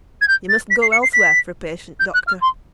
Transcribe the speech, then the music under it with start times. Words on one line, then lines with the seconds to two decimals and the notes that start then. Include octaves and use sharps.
You must go elsewhere for a patient, Doctor.'
0.21 G#6
0.28 G6
0.49 A6
0.71 B6
0.82 C7
0.92 C#7
1.03 C7
1.14 B6
2.00 G6
2.14 F#6
2.27 F6
2.42 C6